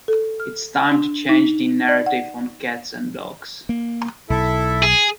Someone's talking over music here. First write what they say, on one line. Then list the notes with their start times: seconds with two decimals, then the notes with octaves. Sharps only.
It's time to change the narrative on cats and dogs.
0.08 A4
0.40 F6
0.92 D4
1.29 D#4
1.89 D5
2.06 F#5
3.69 A#3
4.30 B1 E4 A4 E5
4.83 G#4